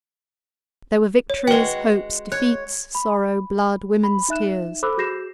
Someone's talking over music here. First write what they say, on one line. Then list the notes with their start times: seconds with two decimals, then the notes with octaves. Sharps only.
There were victories, hopes, defeats, sorrow, blood, women's tears . . .
1.30 C#5
1.47 G#3 F#4 B4 G5
2.32 C#5 F#6
2.95 B5
4.04 B5
4.29 D#4 E5 F#6 E7
4.83 A4 C5 B5 D6 E6 F#6
4.97 F#4 G#4 G6 A#6 C7 E7